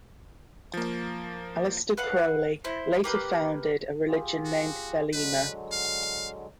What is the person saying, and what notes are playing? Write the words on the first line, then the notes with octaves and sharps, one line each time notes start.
Aleister Crowley later founded a religion named Thelema.
F3 A#3
B4 F5 F#5
E4 C5
A#3 G4 B4
F4 G4 G#4
F#4
D3 F#3 G#3 B4
F5